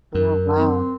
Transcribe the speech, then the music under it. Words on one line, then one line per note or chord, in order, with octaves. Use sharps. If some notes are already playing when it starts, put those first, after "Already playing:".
Oh, wow.
F#2 A#4
C4